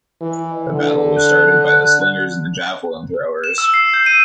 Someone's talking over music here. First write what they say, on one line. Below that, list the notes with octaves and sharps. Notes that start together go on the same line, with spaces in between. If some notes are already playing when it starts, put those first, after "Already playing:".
The battle was started by the slingers and the javelin throwers.
E3
D3
F#6
E7
E6
C7
G6
D#7